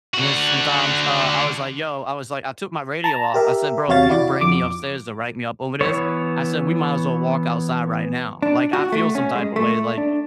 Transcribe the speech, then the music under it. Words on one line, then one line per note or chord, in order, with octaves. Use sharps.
And then sometimes, uh, I was like, "Yo" I was like, "I took my radio off," I said, "Bro, if you bring me upstairs to write me up over this," I said, "We might as well walk outside right now, like, I feel some type of way, like"
D3 F#4
A5 A#5
G4 A#4 E5
E2 C3 F#4 C#5 F5 A6
E4 F#4 D5
F2 D6
E3 B3 C#5
D4
F#4
A3
C#4
G#3
A3
D4